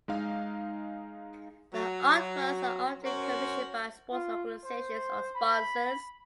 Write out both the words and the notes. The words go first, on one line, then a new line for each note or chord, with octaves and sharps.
The artworks are often commissioned by sports organisations or sponsors.
G#3 D#4 F5
F#3
F#3 C#4 F#4 A#4 C5
F4
C5
B5